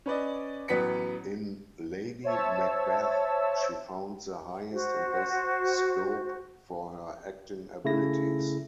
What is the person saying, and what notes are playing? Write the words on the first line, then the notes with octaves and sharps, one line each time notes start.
In Lady Macbeth she found the highest and best scope for her acting abilities.
C#4 B4 D5 D#5
A1 F#3 B3 B4 B6 C#7
C5 C#5 E5 A5 E6
F#4 C5
C#3 A3 E4 A#6